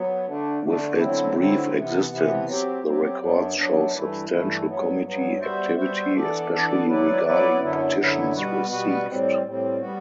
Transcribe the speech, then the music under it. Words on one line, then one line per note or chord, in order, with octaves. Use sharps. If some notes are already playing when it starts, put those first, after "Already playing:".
With its brief existence, the records show substantial committee activity, especially regarding petitions received.
Already playing: F#3 B3
D3 A3 D4
D3 A3 D4
D3 F#3 C4 E4
D3 F#3 C4 E4
C3 E3 B3
C3 E3 B3
F#3 C4 G4
F#3 C4 G4
F#2 F#3 B3 D4
F#2 F#3 B3 D4
G2 E3 A3 E4
G2 E3 A3 E4
G2 F#3 B3
G2 F#3 B3
G3 B3 F#4 C5 E5
G3 B3 F#4 C5 E5
E3 B3 D4 A4 D5
E3 B3 D4 A4 D5
F#3 B3 E4 B4 D5
F#3 B3 E4 B4 D5
F#2 D3 F#3 B3 E4
F#2 D3 F#3 B3 E4
B2 G3 B3 F#4 B4
B2 G3 B3 F#4 B4
A2 G3 C4
A2 G3 C4
G3 B3 F#4